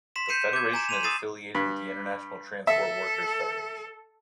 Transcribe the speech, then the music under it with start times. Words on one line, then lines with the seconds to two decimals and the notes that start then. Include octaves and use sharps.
The federation is affiliated with the International Transport Workers Federation.
0.16 C6 B6 E7
0.29 G6 C7 C#7 D#7 E7
0.53 D6 G#6
0.73 G#5 A#5 E7
0.89 C6 D#7 F7
1.03 D#6 E6 A6 C7 D#7 E7
1.55 G2
2.67 A4 E5